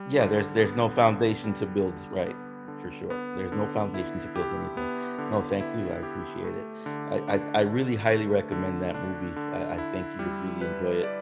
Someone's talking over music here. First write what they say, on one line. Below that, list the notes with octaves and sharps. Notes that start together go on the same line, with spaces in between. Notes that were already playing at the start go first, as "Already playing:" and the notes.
Yeah, there's there's no foundation to build, right. For sure. There's no foundation to build anything. No, thank you, I appreciate it. I I I really highly recommend that movie. I I think you would really enjoy it,
Already playing: G3
D3
B3
D3
G3
D3
B3
D3
B3
D3
E4
G4
B3
D3
E4
G4
A3
D3
D4
D3
A3
D3
D4
D3
E4
G3
B4
D5